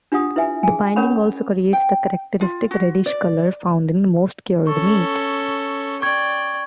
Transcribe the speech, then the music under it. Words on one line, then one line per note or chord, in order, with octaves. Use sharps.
The binding also creates the characteristic reddish color found in most cured meat.
D4 F4 G4 F#5 D#6
E4 B4 E5 G#5
G#4 G#5
C#4 A#4 C#5 F#5 B5 C#6
G5
F4
F#4
D5
C#4 A4 C#6
D5 G5 C#6 G#6